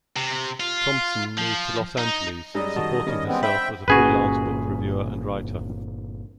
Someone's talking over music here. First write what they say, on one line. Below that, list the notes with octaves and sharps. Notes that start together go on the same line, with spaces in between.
Thompson moved to Los Angeles, supporting herself as a freelance book reviewer and writer.
C3
F4
F3
D#4
F#2 G3 G#3 D#5
D#3 F#4 A5
D#3 G3 C#4
G#3 B3 C4
C5 E5 G5 B5
G1 A#2 C#4 F#4 G#4 B4